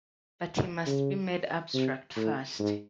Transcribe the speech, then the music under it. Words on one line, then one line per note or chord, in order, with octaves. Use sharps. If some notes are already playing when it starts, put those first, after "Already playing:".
But he must be made abstract first.
C#3
C3
A2
G#2